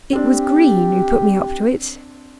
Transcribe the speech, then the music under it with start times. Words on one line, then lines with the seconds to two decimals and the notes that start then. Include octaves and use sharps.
It was Green who put me up to it.
0.13 C4 D4 G4